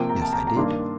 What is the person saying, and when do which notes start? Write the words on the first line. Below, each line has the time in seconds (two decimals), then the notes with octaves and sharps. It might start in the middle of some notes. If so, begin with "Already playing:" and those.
"Yes, I did."
Already playing: C3 F3 A#3 G5
0.09 A#5
0.22 A5
0.33 A#5
0.47 A#5
0.56 G2 D#3 A#3 D4 C6